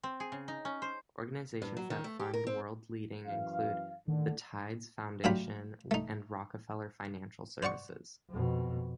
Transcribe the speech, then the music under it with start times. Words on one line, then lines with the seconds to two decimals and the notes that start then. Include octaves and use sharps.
Organizations that fund World Learning include the Tides Foundation and Rockefeller Financial Services.
0.03 C4
0.20 G#4
0.32 C#3
0.48 D#4
0.65 C#4
0.82 C5
1.62 G2
1.77 F#3
1.90 D#3
2.04 A3
2.19 G4
2.34 A#4
2.47 C4
3.27 F#2 E3 F5
4.08 A2 D3 D#3
5.24 A2 F#3 D4 F4 G5 B5
5.91 A3 D#4
7.63 C5 D5 F#5 C#6
8.30 F2 B2